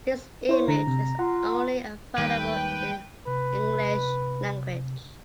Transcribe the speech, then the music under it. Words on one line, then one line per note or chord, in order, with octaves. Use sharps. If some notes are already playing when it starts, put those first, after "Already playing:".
This image is only available in English language.
E4 C5 C#5
D3 A#5
C3
F4 F#5 A#5
D#2 D#3 G3 G#3 B4 G5
C3 B4